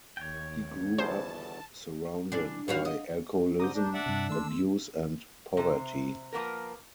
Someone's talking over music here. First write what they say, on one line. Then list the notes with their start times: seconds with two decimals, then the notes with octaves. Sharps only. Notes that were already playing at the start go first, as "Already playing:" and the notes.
He grew up surrounded by alcoholism, abuse and poverty.
0.17 D#2 C#5 G5
0.98 G1 E2 B2 C5 A5
2.32 E3 D4
2.68 E2 F#4 F5
2.85 D#5
3.60 G#2 D3 A#5 D6 D#6 G6
3.74 D4
3.94 D5 E5 F#5
4.06 G2 C3
4.29 D#3 A3 C6 E6
5.57 C3 C5
6.32 F3 A#3 B3 A#4